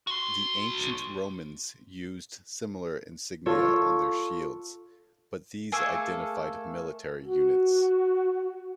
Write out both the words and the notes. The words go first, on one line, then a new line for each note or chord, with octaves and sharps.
The ancient Romans used similar insignia on their shields, but these identified military units.
F#4 C6
F4 A4 C#5
A3 A#3 G#4 A4
F#4